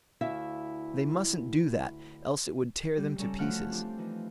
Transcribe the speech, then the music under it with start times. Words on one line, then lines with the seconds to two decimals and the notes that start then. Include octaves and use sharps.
They mustn't do that, else it would tear them to pieces.
0.21 D2 E4 E5 F5
2.97 G3 G4
3.17 C#3 G3 C#4 A4 D5 A#5
3.38 F#2 F3 A3 F#5 F6 G6
3.70 C4 D4 F4 G4
3.98 E3 F3 D#4